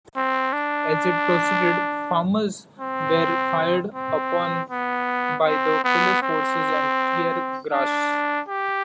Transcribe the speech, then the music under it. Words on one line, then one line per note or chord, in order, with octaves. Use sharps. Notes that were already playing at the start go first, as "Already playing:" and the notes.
As it proceeded, farmers were fired upon by the police forces and tear gassed.
C4
D4
C4
C4
B3
C4
B3
C4
D4
G4